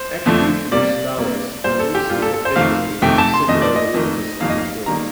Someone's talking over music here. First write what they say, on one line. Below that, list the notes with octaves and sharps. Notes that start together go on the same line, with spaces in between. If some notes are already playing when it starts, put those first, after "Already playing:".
Attributional style is, at least superficially, similar to locus of control.
Already playing: C5
F2 D3 F3 A3
C3 G3 A#3 D5
C3 G3 A#3
A#2 G3 A#3 C5
A4
G4
A#2 G3 A#3 F4
A4
A4
C5
F2 C3 D#3 A3 F5
F2 C3 D#3 A3 G5
A5
C6
F2 D#3 A3 D#5
D5
D#5
F2 D#3 A3
F2 D#3 G3 A#3 F5
D#5
F5
D#3 G3 A#3 A#5